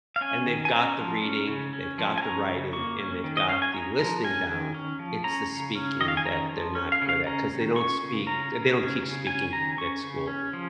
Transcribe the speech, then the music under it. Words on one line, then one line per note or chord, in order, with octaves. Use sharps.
and they've got the reading, they've got the writing, and they've got the listening down- it's the speaking that they're not good at, 'cause they don't speak uh, they don't teach speaking at school.
F5
C#4 G#5
D#3
G#5
C#4 A#5
F3
C#4
C#3
C#4
F3
G#5
C#4 A#5
C#3
A#3 C#6
C#4
D#3
D#5
C#4 F5
G#5
C#4 A#5
F3 A#5
C#4 G#5
D#3
C#4
F3
C#4 A#5
C#3
C#4
D#3 D#5
F5
G#5
C#4 A#5
F3
C#4
F5
C#3
F5
C#4 A#5
D#3
C#4 C#6
C#3
C#4 A#5
C#3
C#4
C#3
C#4 G#5
D#3 A#5
C#4 C#6
C#3
C#4
F3